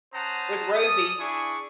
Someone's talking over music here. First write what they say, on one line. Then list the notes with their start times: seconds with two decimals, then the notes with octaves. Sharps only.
with Rosie,
0.14 C#4 C5 F#5 A5 A#5 D#6
0.73 C#4 A4 D5 D#6
1.20 D4 E4 G#4 G#5 C#6